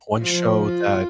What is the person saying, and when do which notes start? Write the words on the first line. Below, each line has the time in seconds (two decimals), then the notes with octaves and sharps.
one show that
0.19 F3
0.63 F4